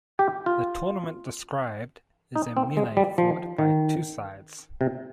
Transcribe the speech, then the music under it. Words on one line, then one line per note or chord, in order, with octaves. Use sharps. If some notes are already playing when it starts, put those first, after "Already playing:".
The tournament described is a melee fought by two sides.
G4
F4
D#4
C4
G#3
G3
F3
D#3
C3